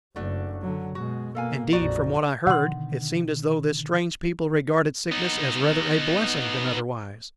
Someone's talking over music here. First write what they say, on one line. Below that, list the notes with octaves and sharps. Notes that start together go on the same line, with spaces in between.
Indeed, from what I heard it seemed as though this strange people regarded sickness as rather a blessing than otherwise.
F#1 A3 D4 F#4
D3 F#3
B2 G#3 F#4
B2 A#3 A4 F5 G#5
A#1 F2 D#4 F#4 D5
B2 D3 D#3 F#5 C6
B3 D#4